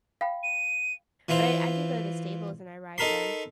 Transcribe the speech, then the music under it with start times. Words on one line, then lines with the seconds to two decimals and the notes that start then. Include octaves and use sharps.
But I I do go to the stables and I ride them
0.21 F5 G5 B5
0.43 D#7
1.29 E3 E4 F4 C5
2.98 D#4 A4 A#4 B5 C6